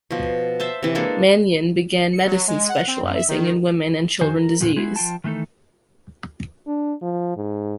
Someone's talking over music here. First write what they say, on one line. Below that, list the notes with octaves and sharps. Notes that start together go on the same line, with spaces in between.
Manion began medicine specializing in women and children disease.
B2 F3
C5 E5 A5
C3 E3
G#3 A#3 D4 A4
C#7
F#3
G#3
F#5
C4
F#2
E5
D#3
F2 D#3 F#4 C5 G#5
A#4
E2 A#2 D3 F3
G#3 E4 F#4 G#4
F3 F4 G5 A5
D#3 E3 A3 D#4 A4
D4
F3
G#2